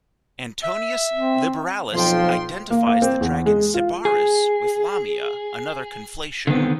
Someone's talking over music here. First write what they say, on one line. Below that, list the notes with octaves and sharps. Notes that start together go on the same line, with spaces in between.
Antoninus Liberalis identifies the dragon Sybaris with Lamia, another conflation.
E5
C4
B1 F2 F3 G5 C6
A#3
A#3
C4
E2
G#3
F4
G#4
D3 D#3 B3 C4